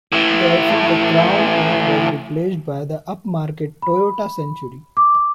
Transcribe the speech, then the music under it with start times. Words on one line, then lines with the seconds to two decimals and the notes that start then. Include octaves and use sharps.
Thereafter the Crown Eight was replaced by the upmarket Toyota Century.
0.12 A2 E3
3.82 B5
4.97 D6